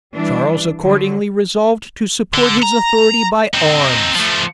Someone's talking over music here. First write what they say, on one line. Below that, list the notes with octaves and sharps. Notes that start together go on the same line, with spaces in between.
Charles accordingly resolved to support his authority by arms.
E3 G3 D4
D3 F#3
D3
A#5
C4 D#4
F3 A3